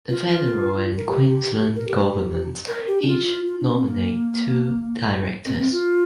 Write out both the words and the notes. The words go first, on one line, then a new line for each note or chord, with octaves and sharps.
The Federal and Queensland governments each nominate two directors.
F4
F4
A#4
G4
A#4
G4
A#4
G4
D4
F4
F4
F4
D4
C4
A#3
C4
A#3
C4
F4